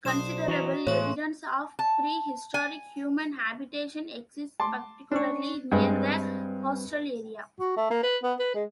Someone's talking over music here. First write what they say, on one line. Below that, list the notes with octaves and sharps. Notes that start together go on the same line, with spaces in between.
Considerable evidence of prehistoric human habitation exists particularly near the coastal area.
B1 D4 C5 D#6 E7
E3 F#4 D#5 A#5
A2 E3 G#3 C#5 C#6
A5
G#5
A5 C6 D6
C#4 D4 C#6
G2 G3 G#3 C4 B4
F#4
A3
A#3
B4
B3
B4
G#3